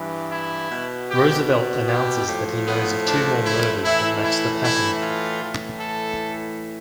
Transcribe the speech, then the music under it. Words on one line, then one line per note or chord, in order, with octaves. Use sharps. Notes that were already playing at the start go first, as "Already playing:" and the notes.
Roosevelt announces that he knows of two more murders that match the pattern.
Already playing: G2 E3
E4
B2
G4
G4
A2 F3
B3
D4
E4
A2 E3 E4
E4
E4
F4
A2 E3
A4